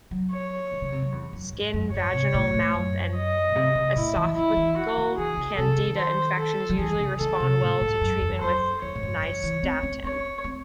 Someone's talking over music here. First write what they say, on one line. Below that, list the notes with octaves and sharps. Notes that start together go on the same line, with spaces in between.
Skin, vaginal, mouth, and esophageal "Candida" infections usually respond well to treatment with nystatin.
F#3
C#5
D#3
C#3
C3
F#2
E2
F#2
G#2
F#2
G#2 C#5
C3
A2
A2
F#2
D#5
A2
C3
C#3
A2 E4
E3
E3 E4
E3
F#4
D#3
E3 G#4
C#3
C3 A4
D#3
C5
A4
F#3
E3 G#4
C#3
D#3 A4
C3
A2
G#2
F#2
E2
F#2 C5
E2 C#5
G#2
F#2
E3
E3
C4
C#4
C4 C#5
C4